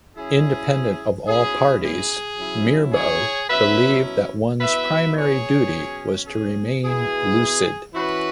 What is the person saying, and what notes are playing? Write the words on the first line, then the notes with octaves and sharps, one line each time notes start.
Independent of all parties, Mirbeau believed that one's primary duty was to remain lucid.
C#3 F#3 C#4 E4 G#4
B2 F#3 C#4 E4 G#4
G#4
F#3 C#4 E4
G#4 C#5
B2 F#3 C#4 E4 B4 E5
B2 B3 E4 B4 E5
G#4 C#5
B2 F#3 C#4
G#4
B2 B3 E4 G#4
E3 C#4 E4 F#4 B4